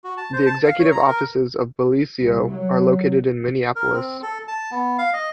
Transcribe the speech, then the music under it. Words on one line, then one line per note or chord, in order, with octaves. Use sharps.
The executive offices of Bellisio are located in Minneapolis.
F#4
A5
C5
A5
F5
C#5
A#5
A#4
C2
F#3
A#4
C4
A4
A5
B3
F5
D#5